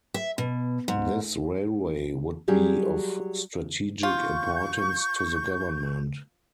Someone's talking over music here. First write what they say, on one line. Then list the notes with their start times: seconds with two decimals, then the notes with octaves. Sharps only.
This railway would be of strategic importance to the government.
0.14 E5
0.38 B2
0.88 G#2
2.48 F#3 G3 G4 G#4
4.03 F4 C#6 G6